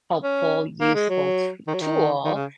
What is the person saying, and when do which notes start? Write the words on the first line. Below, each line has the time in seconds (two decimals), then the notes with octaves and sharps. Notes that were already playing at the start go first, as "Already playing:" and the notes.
helpful, useful too tool,
0.23 C#4
0.81 A#3
0.95 G#3
1.09 F#3
1.67 D#3
1.74 F#3
1.81 D#3
2.24 D#3
2.34 C#3